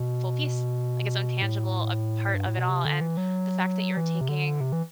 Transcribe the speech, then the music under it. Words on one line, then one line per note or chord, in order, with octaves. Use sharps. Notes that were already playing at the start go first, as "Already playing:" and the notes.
full piece, like its own tangible, uh, part of it all, and the fact that you're taking,
Already playing: B2
A2
G2
A2
B2
C3
D3
E3
F#3
E3
C3
D3
C3
E3